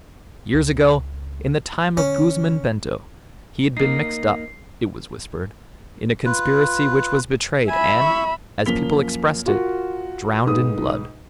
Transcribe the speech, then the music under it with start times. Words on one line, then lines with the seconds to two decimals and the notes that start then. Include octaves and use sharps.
Years ago, in the time of Guzman Bento, he had been mixed up, it was whispered, in a conspiracy which was betrayed and, as people expressed it, drowned in blood.
0.53 C#2
1.97 D3 C#4
3.77 A#3 D#4 C7
6.25 F4 B4
7.68 E5 G#5 B5
8.00 E4 C#6
8.66 F#2 F3 A#3 B6 F7 G7
9.46 F4 F#4 A#4
10.46 B1 G#2 B4 D#6